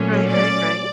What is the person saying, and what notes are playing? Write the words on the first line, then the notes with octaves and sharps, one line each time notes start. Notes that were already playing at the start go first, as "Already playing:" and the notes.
Right, right, right.
Already playing: A#2 F#3 A3 C#4
D5